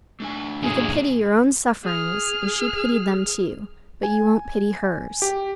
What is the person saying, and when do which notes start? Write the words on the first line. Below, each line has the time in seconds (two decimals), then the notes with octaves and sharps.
You could pity your own sufferings; and she pitied them, too; but you won't pity hers!
0.20 A3 D4 G#5
0.62 F#2 A#2 G#4
1.84 G#4 F6
4.03 G#5
5.22 G4